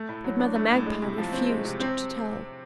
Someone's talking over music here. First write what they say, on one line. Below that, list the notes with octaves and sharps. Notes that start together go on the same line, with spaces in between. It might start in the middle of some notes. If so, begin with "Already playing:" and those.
But Mother Magpie refused to tell.
Already playing: A3
A2
F#3
D4
A3
A2
G#3
C3
F3
C4
G#3
C3
C4